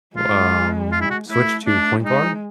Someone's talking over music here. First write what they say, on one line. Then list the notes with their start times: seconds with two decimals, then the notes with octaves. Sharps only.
um, switched to point guard,
0.16 G#3 F4
0.92 F4
1.01 E4
1.10 F#4
1.29 A3 E4
1.66 A3 D4
2.05 G#3 D#4